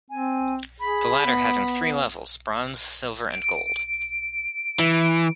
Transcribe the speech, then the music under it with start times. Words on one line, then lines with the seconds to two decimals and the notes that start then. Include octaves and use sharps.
The latter having three levels, Bronze, Silver and Gold.
0.10 C4 G#5
0.80 G#4 B5
1.25 B3
3.32 D7
4.79 E3